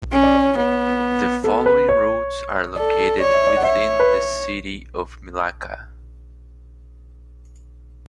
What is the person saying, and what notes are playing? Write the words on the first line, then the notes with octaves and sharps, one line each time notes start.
The following routes are located within the city of Milaca.
C#4
D5
C#5
B3 C#5
B3 A4
B4
C#5
A4 D5
C#5 D5
E5
D5
F#5
C#5 E5
B4